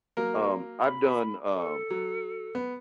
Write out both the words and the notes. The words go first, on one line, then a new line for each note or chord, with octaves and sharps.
Um, I've done, um
F#3 A#3 A#4
B5
A4
F#3
B3